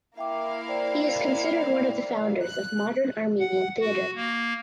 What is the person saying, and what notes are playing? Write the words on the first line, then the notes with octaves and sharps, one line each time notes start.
He is considered one of the founders of modern Armenian theater.
A#3 E4 E5 F5 G5 D6
C5 D5 G5
F#6
F#5
F#4
A#3